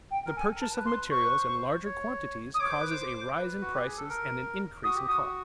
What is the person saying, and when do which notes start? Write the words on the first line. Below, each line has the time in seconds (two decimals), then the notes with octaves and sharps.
The purchase of materials in larger quantities causes a rise in prices and an increase in costs.
0.11 G5
0.26 A#4
0.36 A4 G#5
0.55 A#4
0.61 A5
0.73 B4
0.85 C6
0.92 B4
1.11 C5 C#6
1.24 B4
1.38 C5
1.85 C#5
2.54 D#6
2.60 C#5 D6
2.70 C5
2.79 B4
2.90 C5
3.35 B4
3.61 F#4
3.73 G4
3.86 G#4
3.97 A4
4.09 A#4
4.84 F#4 D#6
4.95 G4
5.07 F#4 D#6